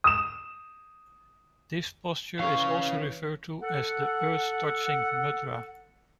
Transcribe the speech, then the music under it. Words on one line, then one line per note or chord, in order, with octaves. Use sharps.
This posture is also referred to as the 'earth-touching' mudra.
D#6 E7
E3 C#4 C#5 F5
A4 F#5